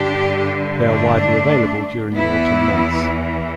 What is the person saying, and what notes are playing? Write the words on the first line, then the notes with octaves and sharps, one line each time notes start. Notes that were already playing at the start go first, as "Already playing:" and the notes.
They are widely available during the Autumn months.
Already playing: G2 D3 D4 G4
A3 D4
E2 E3 B3 E4